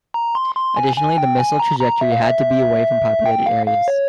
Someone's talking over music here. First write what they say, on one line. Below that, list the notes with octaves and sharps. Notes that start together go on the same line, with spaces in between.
Additionally, the missile trajectory had to be away from populated areas.
A#5
C6
C6
G#5
G#5
G5
G#5
A#5
A#5
E5
F5
E5
G5
F5
F5
C#5